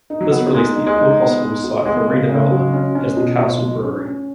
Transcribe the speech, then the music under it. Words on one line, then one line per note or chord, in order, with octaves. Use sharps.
This released the old hospital site for redevelopment as the Castle Brewery.
D#4
F#3
B3
G#3 D#4
D#4
G#3
D#4
B3
D#4
F#4
G#3 B3
C#3
C#3
F#3
C#4
C#4
B2
B2
F#3
C#4
C#4